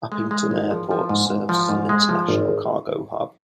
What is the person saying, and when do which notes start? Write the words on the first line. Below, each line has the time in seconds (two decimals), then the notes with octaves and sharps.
Upington Airport serves as an international cargo hub.
0.12 G#3
0.31 G#3
0.51 G#1
0.71 F3
0.91 F3
1.09 G#2
1.30 G#2
1.49 F3
1.69 G#2
1.89 G#3
2.09 F3
2.29 G#1